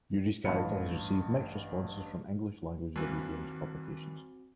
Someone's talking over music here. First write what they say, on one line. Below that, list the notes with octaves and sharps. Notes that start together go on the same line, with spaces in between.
Yuri's character has received mixed responses from English-language video games publications.
A1 G2 F5 A5 B5 C#7
G2 D#3 E3 A#3 C4 F#4